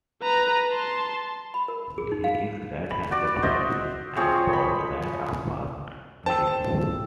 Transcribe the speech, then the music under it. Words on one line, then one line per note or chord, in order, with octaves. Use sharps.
He is a right-handed batsman, and bowls right-arm fast-medium.
B4 A#5
A5 C6
B5
A#4
G#4
D#4
F5
B5
F#4 D5
C5 D#5 E5
F3 C4 G#4 C#5
B5
C5 G5 A5 E6